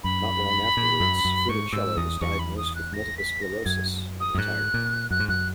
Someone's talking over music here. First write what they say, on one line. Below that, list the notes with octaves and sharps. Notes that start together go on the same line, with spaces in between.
Not long afterwards, Funicello was diagnosed with multiple sclerosis and retired.
F#2 B5
A#2
F#2
F#2
G#2 C#6
G#2 E6
E2 D#6
E2 C#6
B5
D#6
F#6
A#6
B6
A#6
F#2 G#6
D#6
F#2
G#2 F#6
A#2
F#2 F#6
G#2
F#2 F#6